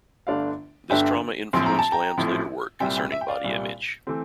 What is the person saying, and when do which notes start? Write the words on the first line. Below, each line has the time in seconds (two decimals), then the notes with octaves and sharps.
This trauma influenced Lamm's later work concerning body image.
0.27 G1 G2 D3 A3 D4 D5 F5
0.90 G1 G2 D3 A3 D4 E5 G5
1.53 A#1 A2 F3 C4 C6
1.66 A#5
1.79 A5
1.92 G5 A#5
2.17 A#1 A2 F3 C4
2.80 C2 A#2 G3 C4 E5 G5
2.96 E5 G5
3.12 E5
3.21 G5
3.28 D5 F5
3.44 C2 A#2 G3 C4
4.07 E3 A3 C4